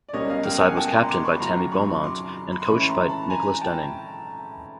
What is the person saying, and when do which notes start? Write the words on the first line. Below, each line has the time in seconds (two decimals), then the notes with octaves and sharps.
The side was captained by Tammy Beaumont and coached by Nicholas Denning.
0.09 D5
0.13 C#2 B2 G3 A#3 C#4 C#5 D#5
0.30 D#5 F5
0.45 F5 G5
0.61 F#5 G#5
0.77 G5 A5
0.93 A#5 C6
1.09 C6 D6
1.25 B5 C#6
1.40 F#2 C#3 F#3 A#5 C6
1.72 B5 C#6
2.04 C6 D6
2.52 B5
2.60 C6
2.67 A2 E3 G#3 C#4 B5 C#6
2.88 A#5 C6
3.09 A5 B5
3.30 G#5 A#5
3.61 G5 A5